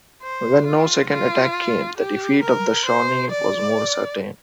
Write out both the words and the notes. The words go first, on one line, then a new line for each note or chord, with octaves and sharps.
When no second attack came, the defeat of the Shawnee was more certain.
C5
F4
F4
G4
A#4
C5
D5